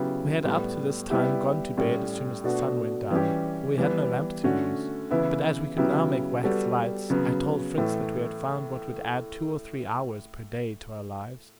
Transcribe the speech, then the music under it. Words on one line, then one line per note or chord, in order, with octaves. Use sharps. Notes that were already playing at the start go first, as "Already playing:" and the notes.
We had up to this time gone to bed as soon as the sun went down, for we had no lamp to use; but as we could now make wax lights, I told Fritz that we had found what would add two or three hours per day to our lives.
Already playing: C#3 F#3 B3 E4 G4
A2 G3 B3
G3 B3 E4 G4
A2 G3 C#4
B2 A3 D4 F#4
E3 G3 C#4 G4
E3 G3 B3
D3 A3 C#4 F#4
C#3 E3 B3 E4
C#3 F#3 B3 E4 G4
G3 B3 F#4 A4
C#3 F#3 B3
A2 E3 A3